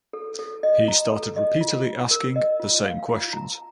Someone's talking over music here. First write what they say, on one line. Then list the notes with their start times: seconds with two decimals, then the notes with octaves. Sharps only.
He started repeatedly asking the same questions.
0.13 A4
0.39 A4
0.63 D#5
0.88 A#5
1.12 A4
1.36 D#5
1.61 F4
1.86 F4
2.11 A#4
2.36 D#5
2.60 F4
2.85 F5
3.09 F4
3.33 A#5